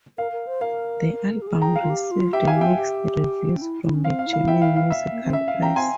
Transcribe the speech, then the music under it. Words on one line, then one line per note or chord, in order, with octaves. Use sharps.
The album received mixed reviews from the German musical press.
A#4 F5
A#4
C5
A#4 F5
G4
G#4
G5 A#5
F5
F4
G4
F4
G4 E5 G5
F5 G#5
G4
E5 G5
F4
G4
C#4
E4
E4
C#4
C4 F5
F5
E4
F5
E5 G5
F5
F5
E5
A#3
C4
C#4 E5
F5
C#4
G5 A#5
C4 G#5 C6